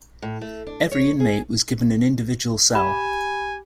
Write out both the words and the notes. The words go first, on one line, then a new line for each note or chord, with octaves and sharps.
Every inmate was given an individual cell.
A2
A3
D4
C#5
G#4
G4 G#5 B5